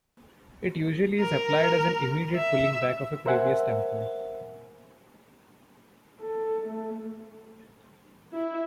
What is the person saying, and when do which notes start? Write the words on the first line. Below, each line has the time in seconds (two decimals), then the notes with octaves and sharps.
It usually is applied as an immediate pulling back of a previous tempo.
1.20 A#4
2.36 E5
3.26 A#4 C5 E5 F#5 G#5
6.21 A4
6.67 A3
8.34 E4